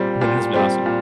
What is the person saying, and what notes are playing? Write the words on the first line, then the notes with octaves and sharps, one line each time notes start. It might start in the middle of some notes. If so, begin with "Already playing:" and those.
It has been awesome.
Already playing: A#2 G3 C4
A#2
G3 C4
A#2